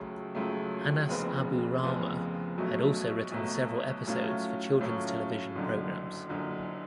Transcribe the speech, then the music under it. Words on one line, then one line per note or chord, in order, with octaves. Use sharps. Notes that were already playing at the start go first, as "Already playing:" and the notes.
Anas Abu Rahma had also written several episodes for children’s television programs.
Already playing: C#2 C#3 F#3 A3
C#2 C#3 F#3 A3
F1 F2 C#3 F3 B3
F1 F2 C#3 F3 B3
B1 B2 F#3 A3
B1 B2 F#3 A3
A2 F#3 A3 C#4 F4
A2 F#3 A3 C#4 F4
F#1 F#2 D3
F#1 F#2 D3